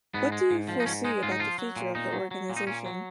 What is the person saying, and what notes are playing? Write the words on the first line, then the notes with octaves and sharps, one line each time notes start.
What do you foresee about the feature of the organization?
G#2 B3
G#3
G#2
F3
D#4
G#2 C#4
G#3 D#4
G#2 F4
D#4
F3 F4
F#3
A#2
A#2 D#4
F#3
F#3
A#2
D#4
A#2 C#4
F#3